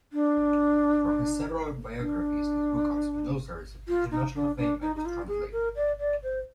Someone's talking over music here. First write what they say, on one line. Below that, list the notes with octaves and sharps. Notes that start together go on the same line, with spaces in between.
From his several biographies, his book on Spinoza received international fame, and was translated.
D4
D4
F4
D#4
D4
D4
D#4
D#4
F4
G#4
A#4
D5
D5
C5